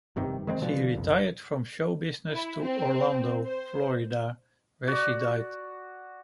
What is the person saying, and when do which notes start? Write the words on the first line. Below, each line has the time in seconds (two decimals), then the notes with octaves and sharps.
She retired from show business to Orlando, Florida, where she died.
0.16 F1 G2 C3 D#3
0.47 D#3 G#3 A#3 C4
0.62 B2 D3 F3
0.96 F#1 C2
2.30 E4
2.60 C4
3.47 C5
4.88 F#4 D5